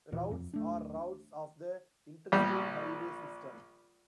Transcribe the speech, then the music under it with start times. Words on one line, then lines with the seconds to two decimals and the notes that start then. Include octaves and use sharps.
Routes or routes of the Interstate highway system.
0.12 D#2 A#2 E3
0.31 F2
0.54 D1 A3 D4
2.32 A#1 G3